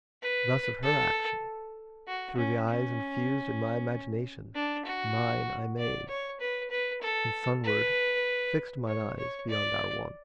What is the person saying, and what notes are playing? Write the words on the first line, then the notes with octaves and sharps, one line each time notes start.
Thus of her action, through the eyes infused In my imagination, mine I made, And sunward fixed mine eyes beyond our wont.
B4
A4
F#4
C#4
C#4
D4
F#4
D5
C#5
B4
B4
A4
B4
C#5
C#5
D5